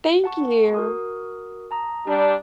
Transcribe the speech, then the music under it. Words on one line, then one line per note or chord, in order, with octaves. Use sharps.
Thank you.
F#5 A5 C#6
F#4 A#4 D#6
A5 A#5 D#6
G3 D4